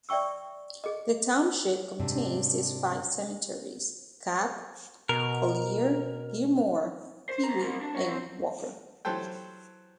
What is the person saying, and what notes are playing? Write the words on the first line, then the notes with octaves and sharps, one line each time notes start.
The township contains these five cemeteries: Capp, Collier, Gilmore, Peewee and Walker.
D5 E5 G5 C#6 E6
G#4 D#5
G#2 C3 D4
B2 A#4
C5
D#2 A#5
G3 C4
D4
F#3 C#5
C4
E3 F#3 G4 A4 C5 G5